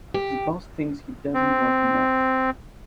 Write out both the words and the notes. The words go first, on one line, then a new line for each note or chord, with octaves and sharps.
His boss thinks he doesn't work enough.
G4
C4